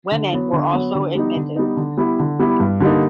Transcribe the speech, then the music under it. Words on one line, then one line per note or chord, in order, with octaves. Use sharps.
Women were also admitted.
D3
F#3 B3
D3
F#3 B3
D3
G3 B3 D#4
D3
G3 B3 D#4
D3
G3 B3 E4
D3
G3 B3 E4
G2
D3 G3 A#3 D#4